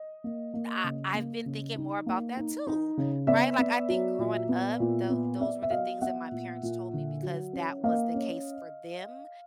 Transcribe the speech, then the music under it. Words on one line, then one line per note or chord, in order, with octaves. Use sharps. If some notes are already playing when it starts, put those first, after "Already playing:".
I I've been thinking more about that too. Right? Like, I think growing up, tho those were the things that my parents told me because that was the case for them.
Already playing: D#5
A#3
A#3
C#3
A#3
C#3
D#4
A#3
D#4
D#4
C#3
B3 D5 E5
B3
F#3
A#2
B3
A#2
B3
B3 D5 E5
E5
F#3 D#5 F5
B3 E5 F#5
A#2
A#2
D3
F#3
C#4
A#3 D#5 F5
C#4